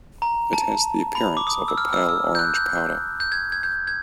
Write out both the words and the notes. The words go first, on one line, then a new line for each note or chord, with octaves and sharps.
It has the appearance of a pale orange powder.
A#5
A5
B5
D6
D#6
E6
F6
E6
E6
G6
F#6
G6
G6
G#6
G#6
G6
G#6